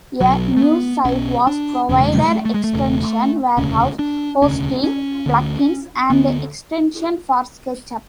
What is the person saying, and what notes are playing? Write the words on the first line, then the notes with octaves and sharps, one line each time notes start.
A new site was provided, Extension Warehouse, hosting plugins and extensions for Sketchup.
B1 B2 F#3
A3
B3
B1 B2 C#4
D4
E1 E2 C#3 C#4
A3
A3
G#3
A3
E1 E2 C#3
E1 D2 C#3 C#4
D4
E1 D2 C#3 C#4
C#4
D2 D3
D2 D3 B3